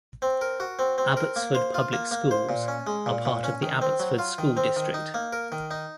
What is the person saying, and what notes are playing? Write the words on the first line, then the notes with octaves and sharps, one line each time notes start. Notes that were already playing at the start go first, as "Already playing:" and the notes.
Abbotsford Public Schools are part of the Abbotsford School District.
C4
A#4
F#4
C4
C4
A#4
A#3
C5
F4
A#3
A#3
C5
A#2
C#4
G#3
A#2
A#2
C#4
D#3
C4
F#3
F4
D#3
C4
D#3
D#4
A#3
A#4
D#3
D#4